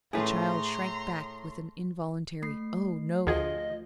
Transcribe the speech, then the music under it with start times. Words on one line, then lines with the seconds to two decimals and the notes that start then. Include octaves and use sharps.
The child shrank back with an involuntary "Oh, no."
0.13 A2 A3 G#4 B4 A#5 C6
2.42 A3 C7
3.27 D2 F3 G#4 D#5